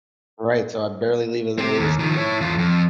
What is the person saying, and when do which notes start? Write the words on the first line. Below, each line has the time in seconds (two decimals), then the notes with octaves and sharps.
Right, so I barely leave as it is.
1.58 C4 G4
1.80 D#2
1.99 D#3 F3
2.17 E4 C#5
2.41 E2 F4
2.58 F2